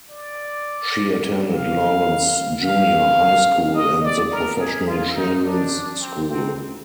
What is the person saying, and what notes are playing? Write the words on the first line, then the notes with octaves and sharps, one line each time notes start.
She attended Lawrence Junior High School and the Professional Children's School.
D5
F5
F5
D#5
D5
A#4
G#4
F4
D#4
D4
C4
C4